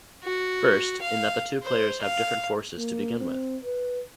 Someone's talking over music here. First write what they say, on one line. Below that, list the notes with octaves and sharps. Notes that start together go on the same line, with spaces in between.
First, in that the two players have different forces to begin with.
F#4
F5
C5
F5
A#3
C4
B4